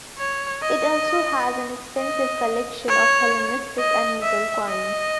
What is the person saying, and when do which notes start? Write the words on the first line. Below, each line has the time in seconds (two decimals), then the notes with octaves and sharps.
It also has an extensive collection of Hellenistic and Mughal coins.
0.18 C#5
0.62 D#5
1.98 D#5
2.88 C#5
3.78 D#5
4.22 E5
4.68 D#5